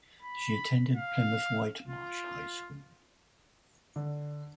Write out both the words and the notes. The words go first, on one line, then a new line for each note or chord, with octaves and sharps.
She attended Plymouth-Whitemarsh High School.
B5
F5
F4
D3